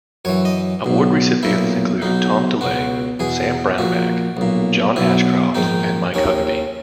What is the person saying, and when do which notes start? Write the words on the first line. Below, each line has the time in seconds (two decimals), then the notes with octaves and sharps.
Award recipients include Tom DeLay, Sam Brownback, John Ashcroft, and Mike Huckabee.
0.25 F#2 E3 C#5
0.45 D#5
0.84 B1 B2
1.43 B1 A#2 E4
2.02 B1 B2 D#4
2.61 C#2 B2 F#4
3.20 E2 B2 G#4
3.78 A#1 A#2 F#4
4.37 B1 A#2
4.96 B1 B2 E4
5.55 A#1 G#2 D#3 D#4
6.14 D#2 D#3 C#4